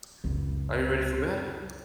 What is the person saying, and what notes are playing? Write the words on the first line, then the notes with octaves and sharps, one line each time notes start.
Are you ready for bed?
C#2 F#2